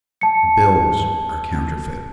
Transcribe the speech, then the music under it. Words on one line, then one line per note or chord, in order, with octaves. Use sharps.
"The bills are counterfeit."
A5 C#7